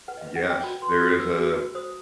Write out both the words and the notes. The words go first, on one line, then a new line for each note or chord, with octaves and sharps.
yes, there is a
B4 F#5
D#5
E5
B4
F#5
B4 G5
F#4 B5
B4 C6
F#4 D#6
B4 E6
F#4
F#4
C5 D#6